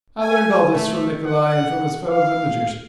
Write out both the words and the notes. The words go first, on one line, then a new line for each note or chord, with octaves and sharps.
I learnt all this from Nikolay and from his fellow villagers.
G#5
A3
F#5
F5